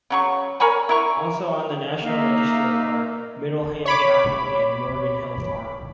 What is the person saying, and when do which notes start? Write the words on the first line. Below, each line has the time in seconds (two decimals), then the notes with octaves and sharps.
Also on the National Register are Middleham Chapel and Morgan Hill Farm.
0.10 C#3 F#3 C#6
0.60 A#4 C#5 G#5 B5
0.89 E4 A#4 C#6
2.04 A#3 D#4 E5 F5
3.85 C#5 B5 D6